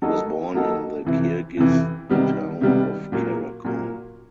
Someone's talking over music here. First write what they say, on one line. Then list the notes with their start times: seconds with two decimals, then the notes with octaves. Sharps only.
He was born in the Kirgiz town of Karakol.
0.02 F#3 A#3 D#4 F#4 A4
0.54 F#3 A#3 D#4 F#4 A4
1.05 F2 C3 E3
1.57 F2 C3 E3
2.09 C3 D#3 G3 B3
2.61 C3 D#3 G3 B3
3.12 A#2 F#3 A#3
3.64 A#2 F#3 A#3